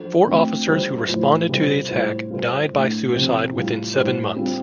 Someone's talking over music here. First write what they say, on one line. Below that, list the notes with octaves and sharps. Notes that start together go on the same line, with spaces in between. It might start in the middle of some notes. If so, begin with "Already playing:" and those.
Four officers who responded to the attack died by suicide within seven months.
Already playing: F3 D4 A4 C5
D3 A3 C4 F4
D3 G3 F4 C5
A2 F3 A3 F4 C5
C3 G3 F4 A4 C5
A2 G3 F4 C5
G3 F4 A4 C5
A2 A3 D4
C3 F3 C4 G4 C5
A2 G3 F4
A2 G3 F4 C5
G3 C4 F4